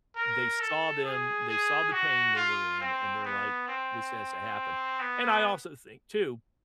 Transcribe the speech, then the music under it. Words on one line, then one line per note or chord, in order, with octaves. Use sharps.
they saw them, they saw the pain they were in, and they're like, "This has to happen," and I also think too,
A#4
A4
G#4
G#4
F#4
F4
C4
B3
C4
B3